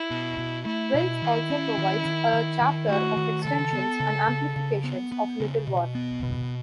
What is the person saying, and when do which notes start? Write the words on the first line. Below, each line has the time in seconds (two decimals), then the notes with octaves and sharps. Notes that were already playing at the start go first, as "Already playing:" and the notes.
Wells also provides a chapter of "Extensions and Amplifications of Little War".
Already playing: E4
0.10 B2
0.38 B2
0.66 A3 E4
0.94 B2
1.22 D#3
1.50 C#4
1.78 D#3
2.05 D#3
2.33 D#3
2.61 D#3
2.88 A3 F#4
3.17 D#3
3.45 C#3 A4
3.73 B3
4.00 C#3
4.28 C#3
4.56 C#3
4.84 B3
5.12 B3
5.40 C#3
5.67 B2
5.95 B3
6.23 B2